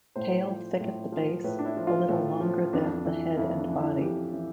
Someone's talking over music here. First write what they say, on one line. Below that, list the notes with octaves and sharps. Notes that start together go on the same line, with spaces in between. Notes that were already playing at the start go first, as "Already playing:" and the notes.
Tail thick at the base, a little longer than the head and body.
A2 C5
F3
A2
F3
A2 B4
D4
E4
F3
F4
A2
F3
F2 D4
E3
F2 E4
D4
E3
E4
F2 G4
E3